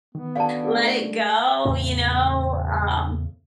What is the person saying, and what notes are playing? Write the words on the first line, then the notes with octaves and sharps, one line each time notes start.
let it go, you know? Um
D#3 B3
D3 C#4 F#4 F5 A5
A3
E2 A2 C#3 C4